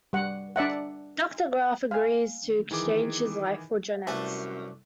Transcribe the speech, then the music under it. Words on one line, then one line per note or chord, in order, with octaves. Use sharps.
Doctor Garth agrees to exchange his life for Janet's.
G3 F#5
D4 D5 E5 F#5
F5 G#5
D#3 E3 G#4 D6
C2 F#2 A3 D4 B4 F#5